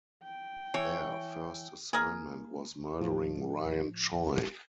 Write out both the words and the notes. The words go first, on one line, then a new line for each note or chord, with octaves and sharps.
Their first assignment was murdering Ryan Choi.
G5
E3 C#5
A#3 G#4 A#4
A2 F3